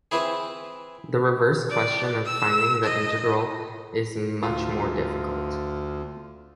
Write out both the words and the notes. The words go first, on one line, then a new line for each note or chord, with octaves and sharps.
The reverse question of finding the integral is much more difficult.
E3 C4 E4 G#4
D5
E6
D#5
D2 F4